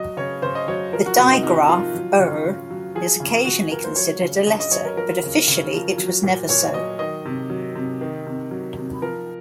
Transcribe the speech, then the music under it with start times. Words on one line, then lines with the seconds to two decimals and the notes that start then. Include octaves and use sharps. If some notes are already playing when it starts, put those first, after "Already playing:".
The digraph "rr" is occasionally considered a letter, but officially it was never so.
Already playing: F#3 D#5
0.17 C#3 C#5
0.42 C#3 C5
0.55 D#5
0.68 F#3 C#5
0.93 F3 A#4
1.06 F#4
1.18 C3 F#4
1.31 D#4
1.43 C3 D#4
1.68 F3 F4
1.95 F#3
2.19 C#3
2.44 C#3
2.70 F#3
2.95 F3 G#4
3.20 C#3
3.45 C#3 F#4
3.71 F3 A#4
3.84 C5
3.96 F#3 C#5
4.22 C#3
4.46 C#3 D#5
4.60 D#5
4.71 F#3 C#5
4.85 A#4
4.97 F3 A#4
5.23 C#3
5.48 C#3
5.74 F3
5.98 F#3
6.24 A#2
6.49 A#2 C#5
6.74 F#3 D#5
6.99 D#3 D#5
7.25 C3
7.50 F#3
7.75 C3
8.01 D#3
8.26 C3
8.51 F#3
8.77 C3
9.02 F3 A#4